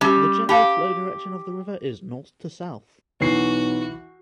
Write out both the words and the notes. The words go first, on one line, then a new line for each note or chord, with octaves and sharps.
The general flow direction of the river is north to south.
G3 C#4 G4
G4 F5 A5 B5
B1 E3 F#4 C7